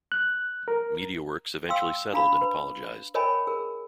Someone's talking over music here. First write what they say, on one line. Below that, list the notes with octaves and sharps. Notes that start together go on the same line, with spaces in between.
Mediaworks eventually settled and apologised.
F#6
A#4
F5 G5 C6 E6
D4 F5 A#5 B5
B4
A#4 C#5 D#5 G5 G#5 B5
G#4 A#4